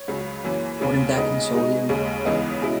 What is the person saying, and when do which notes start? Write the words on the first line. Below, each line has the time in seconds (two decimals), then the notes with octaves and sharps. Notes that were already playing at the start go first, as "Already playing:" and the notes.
Wouldn't that console you?
Already playing: C#5
0.08 C#2 C#3 F#3
0.44 F#2 E3 A#3 C#4
0.80 D#2 C#3 G#3
1.16 C#3 G#3 B3 D#4 D#5
1.53 B2 G#3 D#4
1.89 D#2 C#3 G#3
2.25 C#2 C#3 E3 B3 D#4 D#5
2.62 B2 G#3 C#4 E4